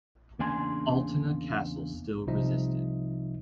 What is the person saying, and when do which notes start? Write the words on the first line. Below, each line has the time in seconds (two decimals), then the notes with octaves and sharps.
Altena Castle still resisted.
0.39 E2 C#3 A#3 D4 G#5 C6
2.27 C2 C3 F3 D#4 D#5 E5